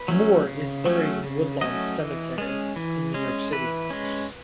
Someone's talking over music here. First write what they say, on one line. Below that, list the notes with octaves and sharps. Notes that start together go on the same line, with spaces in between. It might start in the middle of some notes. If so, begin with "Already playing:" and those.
Moore is buried in Woodlawn Cemetery in New York City.
Already playing: B4
F#3 A3 C#4
C#3
F#3 A3 C#4
C#3
F#3 A3 C#4 D#5
E3
G#3 C#4
E3
G#3 C#4
E3 B4
G#3 C#4